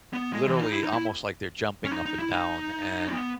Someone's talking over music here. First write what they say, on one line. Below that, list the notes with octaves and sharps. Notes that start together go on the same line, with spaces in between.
literally, almost like they're jumping up and down, and,
B3
G#3
E3
D#4
E4
D#4
E4
C#4
D#4
D#4
E4
D#4
C#4
B3